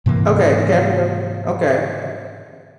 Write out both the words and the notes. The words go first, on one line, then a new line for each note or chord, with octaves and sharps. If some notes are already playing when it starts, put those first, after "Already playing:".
Okay, DiCaprio. Okay.
G#2 C3 E3 A#3